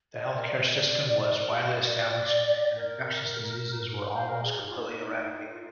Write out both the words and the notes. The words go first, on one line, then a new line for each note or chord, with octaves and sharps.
The health care system was widely established and infectious diseases were almost completely eradicated.
D#5
D5
A#4
D5
A#4
G4
D#5
D#5
D5
A#4
C5
A#4
G#4
D#4
F4
D#4
F4